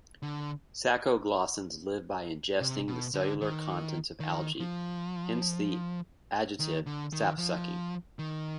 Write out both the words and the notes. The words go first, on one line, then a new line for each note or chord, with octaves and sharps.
Sacoglossans live by ingesting the cellular contents of algae, hence the adjective "sap-sucking".
D3
C3
B2
D3
D#3
D#3
F3
D#3
D3
D#3
F3
D#3